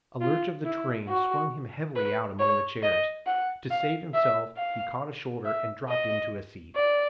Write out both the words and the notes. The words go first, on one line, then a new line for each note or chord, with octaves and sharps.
A lurch of the train swung him heavily out among the chairs; to save himself he caught a shoulder and dropped into a seat.
F4
E4
F#4
B4
C#5
D#5
F#5
F5
E5
F5
E5
D#5
D5